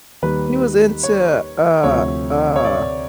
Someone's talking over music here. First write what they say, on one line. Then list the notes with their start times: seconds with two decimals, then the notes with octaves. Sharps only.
she was into, uh uh
0.22 D#2 D#3 G3 B4
1.03 C#5
1.83 D2 C3 F3 C#5
2.56 C#5
2.64 D5